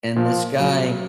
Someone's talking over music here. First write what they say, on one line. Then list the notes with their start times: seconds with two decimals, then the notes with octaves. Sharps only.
and, this guy,
0.16 A#2 F3
0.59 F#3